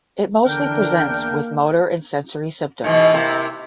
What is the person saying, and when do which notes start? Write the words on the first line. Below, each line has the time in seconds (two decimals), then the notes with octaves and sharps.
It mostly presents with motor and sensory symptoms.
0.45 E2 D3 D4 A#4 G5
1.08 A#3
2.84 G#2 B2 E3
3.13 C3 A#3 E4